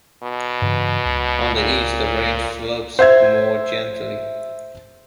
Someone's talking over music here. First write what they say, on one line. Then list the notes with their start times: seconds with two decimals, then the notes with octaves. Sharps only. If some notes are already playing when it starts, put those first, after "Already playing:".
On the east, the range slopes more gently.
0.23 B2
0.62 G2 C#3 E3
1.05 C#2
1.55 A#2
2.99 C5 E5 G#6